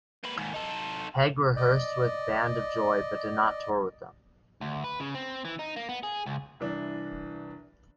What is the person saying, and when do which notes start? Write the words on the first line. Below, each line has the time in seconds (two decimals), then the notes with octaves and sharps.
Pegg rehearsed with Band of Joy but did not tour with them.
0.24 A#3 B4
0.37 D#2 G#2
0.54 D#4 A4
1.56 D5 D#5
4.61 D2
4.84 B4
5.00 C#3
5.15 C4
5.45 E3
5.59 D#4
5.76 A#3
5.89 B3
6.03 G#4
6.26 C#2
6.60 C2 E3 D4